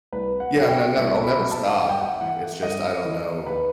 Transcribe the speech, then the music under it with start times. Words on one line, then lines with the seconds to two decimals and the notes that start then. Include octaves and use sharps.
Yeah, I mean, I never I'll never stop. It's just I don't know.
0.12 C2 B4
0.40 F#5
0.55 B2 F#3
0.68 G5
0.96 C2 E5
1.24 B5
1.38 B2 F#3
1.51 A5
1.79 G2
1.89 G5
2.01 F#5
2.12 E5
2.21 E3 F#5
2.63 G2 D#5
3.05 E3
3.46 D#2 B4